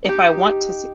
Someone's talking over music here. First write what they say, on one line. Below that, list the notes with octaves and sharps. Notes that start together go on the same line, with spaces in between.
if I want to see."
D#4 G4